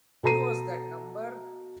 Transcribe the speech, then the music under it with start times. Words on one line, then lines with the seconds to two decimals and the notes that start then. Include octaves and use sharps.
It was that number.
0.23 B2 A4 A5 A#5 C7 D#7